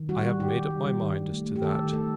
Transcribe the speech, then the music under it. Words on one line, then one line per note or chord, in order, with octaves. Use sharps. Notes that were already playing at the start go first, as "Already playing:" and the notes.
I have made up my mind as to that.
Already playing: D#3
G3 F#4
G3
D#3 G4
D#3
G3
G3
D#3
D#3
A3
A3
G4
D#3 A4
D#3
A3 A4